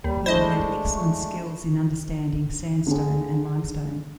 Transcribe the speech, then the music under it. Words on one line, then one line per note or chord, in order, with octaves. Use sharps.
He had excellent skills in understanding sandstone and limestone.
D#2 G3
G#3 A3 D4 E4 C5 D#5 B5
C#6
D3 G#4